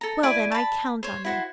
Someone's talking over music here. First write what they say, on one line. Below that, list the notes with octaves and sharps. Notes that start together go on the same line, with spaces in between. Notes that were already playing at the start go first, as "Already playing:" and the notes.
"Well, then, I count on you."
A4 A#5
E4 D5 G#5 D6
A5 B5
C5 C#5
E4 F#4 C5